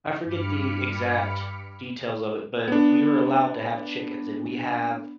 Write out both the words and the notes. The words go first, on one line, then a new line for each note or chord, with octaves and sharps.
I forget the exact details of it, but we were allowed to have chickens, and we have,
G2 B5 D6 F6 C#7
B3 D4